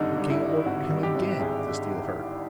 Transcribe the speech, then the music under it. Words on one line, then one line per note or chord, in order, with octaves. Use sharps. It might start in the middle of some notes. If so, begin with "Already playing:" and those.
The king ordered him again to steal her.
Already playing: G#1 G2 D3 G3 D4 D#4
G2
E4
G3
G#1 F#4
G2
G4
G#1
G#1 G#4